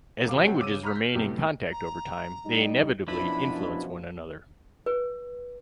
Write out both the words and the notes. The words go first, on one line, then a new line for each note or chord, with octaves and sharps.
As languages remain in contact over time, they inevitably influence one another.
E1 B2 F5 D6
C3 G3 C4 C#4 F#4 G5
C#3 D6 E6 D#7
A#5 B5 C#6 F6 B6
G6
F#2 A2 C3 G3 A3 B3
A#5
G3 D#4
F#2 B2 F3 D4 E4 B4 B5
B4